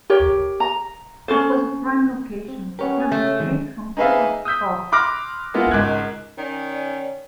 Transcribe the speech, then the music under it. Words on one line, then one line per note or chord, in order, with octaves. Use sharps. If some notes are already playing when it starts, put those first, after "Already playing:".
It was a prime location, across the street from Seward Park.
G4 A#4 C#5
A#5
C#4 F4 A4 C5
C4
C#4 G4 A#4 B4 C#5 F#5
G#5
C#3 A3
D3 D#3 F#3 G#3
D#4 G#4 B4 E5 F5
D#6 E6 G6 B6
B5 C6 D6 F6 F#6 A#6
G#3 A#3 B3 E4 F4
G#1 C#2 A#4 F#6 G#6
D#3 C#4 D5